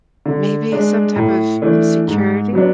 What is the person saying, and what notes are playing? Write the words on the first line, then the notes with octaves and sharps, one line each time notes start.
maybe some type of insecurity.
D3
G#3 D4
A2
E3 A3 D4
G#2
F#3 B3 D4